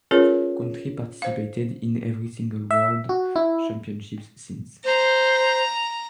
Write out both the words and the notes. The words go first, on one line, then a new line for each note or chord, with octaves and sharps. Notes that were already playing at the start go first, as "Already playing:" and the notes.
Country participated in every single world championships since.
C#4 F4 G#4 A#4 B4 C#5
C5 F5
E5
F#4
E4
C5 A#5